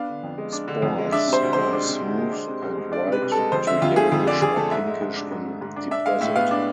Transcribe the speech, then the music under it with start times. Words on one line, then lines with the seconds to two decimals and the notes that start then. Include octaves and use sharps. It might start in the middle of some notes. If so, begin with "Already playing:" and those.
Spores are smooth and white to yellowish or pinkish in deposit.
Already playing: B3 D4 F5
0.08 D3
0.23 F2
0.38 G#3
0.53 D4
0.68 D3
0.82 F2
0.98 G#3
1.12 D4 E5
1.28 C3
1.33 C5
1.43 D2
1.53 G#3 C5
1.73 D4
1.88 C3
2.02 D2
2.18 G#3
2.32 D4
2.48 C3
2.62 C2
2.77 G#3
2.92 D4 D5
3.07 C3
3.12 B4
3.22 C2
3.32 A4
3.37 G#3
3.52 F2 C5
3.67 D3 E5
3.82 F2 F4
3.96 A3 G#4
4.12 F2
4.27 D3 D5
4.41 F2 G#4
4.56 A3 A4
4.71 G#2 E5
4.87 G#3
5.02 G#2
5.16 D4
5.32 G#2
5.47 G#3
5.61 G#2
5.76 D4
5.91 D4 E5
6.06 G#3 F5
6.21 A2 E5
6.36 B3 F5
6.51 D4